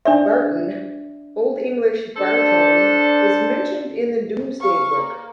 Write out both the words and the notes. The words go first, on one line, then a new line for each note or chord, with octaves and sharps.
Barton, Old English "Bartone", is mentioned in the Domesday Book.
D4 D5 E5
D4 A4 C5
F5 C#6
A#3